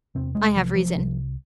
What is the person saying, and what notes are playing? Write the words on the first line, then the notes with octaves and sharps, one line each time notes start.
I have reason.'
E2 C3 C4
G#3
C2 C3 F3
F3
C2 C3